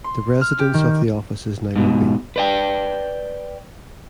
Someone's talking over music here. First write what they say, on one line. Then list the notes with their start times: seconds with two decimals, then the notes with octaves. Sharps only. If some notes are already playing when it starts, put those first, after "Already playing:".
The residence of the office is Nairobi.
0.04 C6
0.41 F6
0.59 G4
0.74 D#3
1.76 G#2 B2
2.36 B4 D5 G5